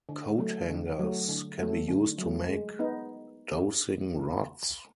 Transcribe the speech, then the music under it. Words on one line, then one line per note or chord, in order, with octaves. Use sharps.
Coathangers can be used to make dowsing rods.
D3
F#3 A3
D3
F#3 A3
D3
F#3 A3
D3
F#3 A3
G#3
B3 D#4